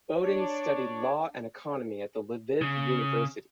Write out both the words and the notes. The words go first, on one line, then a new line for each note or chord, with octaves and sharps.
Bohdan studied law and economy at the Lviv University.
D4 C#5 D5
C#3